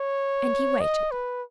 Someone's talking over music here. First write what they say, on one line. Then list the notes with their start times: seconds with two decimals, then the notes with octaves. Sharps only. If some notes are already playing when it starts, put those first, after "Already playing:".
And he waited.
Already playing: C#5
0.81 D#5
1.12 B4